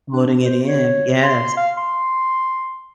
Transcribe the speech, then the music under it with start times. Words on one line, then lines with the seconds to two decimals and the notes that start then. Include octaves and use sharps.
Loading it in, yes.
0.13 D4
0.45 C5
0.69 C#5
1.24 C6
1.57 F5
1.78 C6